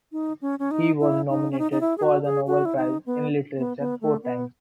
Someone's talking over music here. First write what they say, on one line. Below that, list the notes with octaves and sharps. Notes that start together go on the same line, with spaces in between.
He was nominated for the Nobel Prize in Literature four times.
D#4
C#4
C#4
D#4
E4
D#4
C#4
D#4
D#4
E4
G#4
F#4
G#4
F#4
E4
D#4
B3
B3
B3
A3
B3